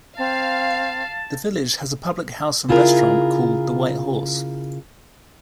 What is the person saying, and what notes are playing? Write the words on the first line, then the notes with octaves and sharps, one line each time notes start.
The village has a public house and restaurant called The White Horse.
C4 F5 A5
C#3 E4 F4 G#4 A#4